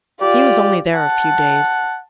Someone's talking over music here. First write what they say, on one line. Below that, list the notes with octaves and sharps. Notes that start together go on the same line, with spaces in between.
He was only there a few days.
F4 G4 D5
F#5 A5